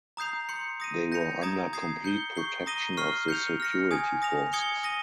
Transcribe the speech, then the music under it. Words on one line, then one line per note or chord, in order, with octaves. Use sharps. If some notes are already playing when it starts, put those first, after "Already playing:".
They were under complete protection of the security forces.
A#5 D#6 G6 C7 F7
C6 G6 C#7
D#6 A#6 D#7
G6 A#6 C#7 F7
A#5 D#6 G#6
A#5 D#6 G#6 C7
G6 C#7 G7
C#6 G6 C7 G7
A#5 D#6 A#6 D#7 G7
C#6 F6 C7 G7
G6 C#7 F7
F6 A#6 C#7
G#5 D#6 G#6
D#6 A#6 F7
D#6 G#6 C#7 G7
D#6 A#6 D#7 G7